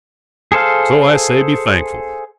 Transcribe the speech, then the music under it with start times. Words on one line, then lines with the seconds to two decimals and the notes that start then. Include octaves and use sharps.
So I say, be thankful.
0.52 G#4 A4 C5 F5